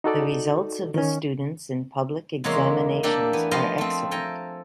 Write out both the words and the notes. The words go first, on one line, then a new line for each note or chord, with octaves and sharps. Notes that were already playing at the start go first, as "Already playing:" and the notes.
The results of the students in public examinations are excellent.
D#4 F#4 A4 D5
D#3 C#4
E2 C3 G#3 A#3 C#5 C6
A3 A#3 D4 G4 A4
E3 B3
F3 B3 F4 D#5 F5 C6
A3 C4
A4 G5 G#5 A#5